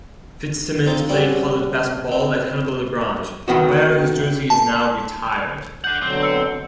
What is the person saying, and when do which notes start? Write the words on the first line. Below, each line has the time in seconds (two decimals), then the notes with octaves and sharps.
Fitzsimmons played college basketball at Hannibal-LaGrange, where his jersey is now retired.
0.86 C4 D#4 F4
1.09 G3 C4 C#4 F#4
2.12 C4
3.48 D2 D#3 B3 F#4
4.50 A5
5.84 D4 F#5 G6
6.02 B2 D3 F#3 C4
6.23 E6 C#7